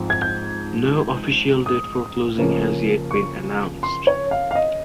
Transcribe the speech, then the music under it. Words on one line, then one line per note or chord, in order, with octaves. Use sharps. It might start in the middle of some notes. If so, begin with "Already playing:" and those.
No official date for closing has yet been announced.
Already playing: G#2 F3 C4
G#6
G6
D#6
C#3 F3 A#3 C#4
C#6
C6
C#5
F5
F5
D#5